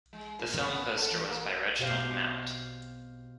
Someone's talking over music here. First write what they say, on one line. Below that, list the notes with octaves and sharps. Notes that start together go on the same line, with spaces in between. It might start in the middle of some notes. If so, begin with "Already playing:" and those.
The film poster was by Reginald Mount.
G#3
A#2
B3
A4
E3
A#3
B2 G4 C5 F5